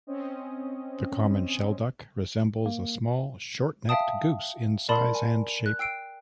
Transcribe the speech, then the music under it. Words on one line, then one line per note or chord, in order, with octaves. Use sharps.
The common shelduck resembles a small short-necked goose in size and shape.
C4 C#4 D#5
A#3
E5 F5 G5 A5 D#6
A#4 D5 A5 B5 C6
G#5
F#6
G5 E6 C7 D7